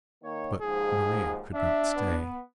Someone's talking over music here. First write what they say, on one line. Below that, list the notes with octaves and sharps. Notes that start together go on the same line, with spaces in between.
But Maria could not stay.
D#3 A#3 C#5
D#2 G#2 F3 G#4
D4 E5
B3